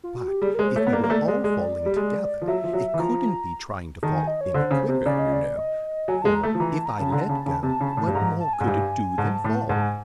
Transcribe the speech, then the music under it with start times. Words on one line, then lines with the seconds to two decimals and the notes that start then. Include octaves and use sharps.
But, if we were all falling together, it couldn't be trying to fall any quicker, you know: for, if I let go, what more could it do than fall?
0.04 F4
0.16 F#4
0.28 G4
0.41 G3 G#4
0.55 G#3 A#4
0.62 C#5
0.68 C5
0.76 A3
0.80 C#5
0.87 B3
0.92 A#3 D5
1.04 A#3
1.10 A3
1.28 G#3
1.44 G#3
1.86 G3
1.96 G#3
2.42 F3
2.47 F#3 E5
2.64 F3
2.73 F#3
2.94 E3
2.99 F3 A#5
4.03 D#3 A5
4.15 G#5
4.27 D#5
4.41 C#5
4.54 D3 C5
4.71 C#3
4.89 C3
5.06 C#3 D5
5.19 D#5
5.33 D5
5.57 D#5
6.08 F#3 G#5
6.22 G#3 A5
6.35 A#5
6.43 A3
6.48 A5
6.55 F3
6.60 E3 A#5
6.74 A5
6.86 A#5
6.98 C#3 A5
7.10 D3 A#5
7.21 A5
7.29 C#3
7.46 C#3
7.63 C3 A5
7.81 C#3
7.97 A2
8.07 G2
8.15 G#2 A#5
8.40 A5
8.53 G#5
8.61 G#2
8.67 G2
9.18 G#2 A5
9.44 A2
9.69 G#2 A5
9.82 G#5